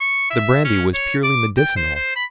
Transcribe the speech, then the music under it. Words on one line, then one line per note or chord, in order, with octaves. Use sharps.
The brandy was purely medicinal.
C#6
E5
C#4
C#5
D6
G5
C5
C5
B5